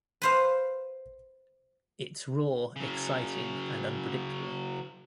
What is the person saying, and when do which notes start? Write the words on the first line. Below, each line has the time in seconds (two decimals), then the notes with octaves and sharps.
It's raw, exciting and unpredictable.
0.22 B4 C5 F5
2.76 C#3 F#3